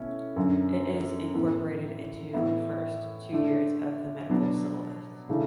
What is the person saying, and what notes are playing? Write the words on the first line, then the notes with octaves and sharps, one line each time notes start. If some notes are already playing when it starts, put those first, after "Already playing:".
It is incorporated into first two years of the medical syllabus.
Already playing: B2 A3 C#4 E4
F#2 D3 F#3
A2 E3 B3
A2 E3 B3 E4
D3 A3 D4
B2 F#3 B3 D4
C#3 E3 A3 D4